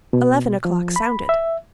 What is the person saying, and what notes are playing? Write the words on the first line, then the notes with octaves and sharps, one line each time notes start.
Eleven o'clock sounded.
B2
F3
B5
E5